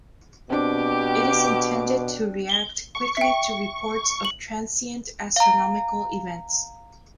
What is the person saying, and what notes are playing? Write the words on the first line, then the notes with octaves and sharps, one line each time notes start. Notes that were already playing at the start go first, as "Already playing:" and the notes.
It is intended to react quickly to reports of transient astronomical events.
B2 C4 D4 G4 D6
C#6
E5 G5
F#7
F5 A#5